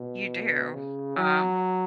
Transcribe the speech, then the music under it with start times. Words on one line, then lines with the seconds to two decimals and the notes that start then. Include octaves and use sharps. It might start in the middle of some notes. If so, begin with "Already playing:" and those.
You do, um
Already playing: B2
0.74 C#3
1.17 F#3